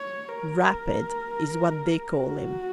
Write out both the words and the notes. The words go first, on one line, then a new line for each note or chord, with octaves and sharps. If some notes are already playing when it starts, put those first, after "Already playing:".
"Rapid" is what they call him.
Already playing: C#5
A#4
F#4